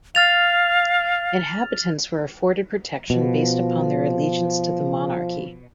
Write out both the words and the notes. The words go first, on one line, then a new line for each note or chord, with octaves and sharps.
Inhabitants were afforded protection based upon their allegiance to the monarchy.
F5 F6 A6 F7
B2 F3